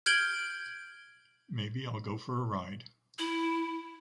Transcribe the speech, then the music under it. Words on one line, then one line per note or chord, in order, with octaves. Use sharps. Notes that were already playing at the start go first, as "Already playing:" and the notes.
Maybe I’ll go for a ride.
F6 G6 G#6 D7 F#7 G7
E4